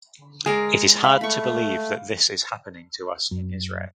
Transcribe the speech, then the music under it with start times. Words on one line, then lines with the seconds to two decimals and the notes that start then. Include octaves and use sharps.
It is hard to believe that this is happening to us in Israel.
0.46 G#3 G#4 A#4 D5
1.04 F5 B5
1.21 A3 B5 C#6
3.31 F#2